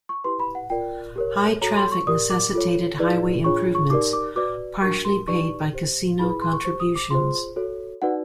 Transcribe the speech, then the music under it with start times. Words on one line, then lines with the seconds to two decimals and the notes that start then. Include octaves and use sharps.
High traffic necessitated highway improvements, partially paid by casino contributions.
0.09 C#6
0.24 E4 G4 B4 C6
0.40 B5
0.55 F#5
0.70 F4 A#4 D5 G5
1.16 G4 A#4 C#5
1.61 F#4 A4 C#5 A#5
1.77 C6
1.92 C#6
2.07 G4 A#4 D5 D#6
2.30 D6
2.53 F4 A4 C#5
2.99 E4 G#4 B4 D5
3.44 D4 F4 G#4 C#5 C#6
3.75 C#6
3.90 D#4 G4 A#4 D5 D6
4.13 D6
4.36 F#4 B4 D5 D6
4.82 D4 F#4 A#4 C#6
5.05 C6
5.27 D#4 G4 B4 D5 C#6
5.73 G4 C5
6.19 E4 G#4 B4 B5
6.30 B5
6.42 C6
6.53 C#6
6.65 G4 C5 C#6
6.80 D#6
6.96 D6
7.10 F4 G#4 C5 C6
7.56 F#4 A4 C#5
8.02 D#4 F#4 B4 D5 F#5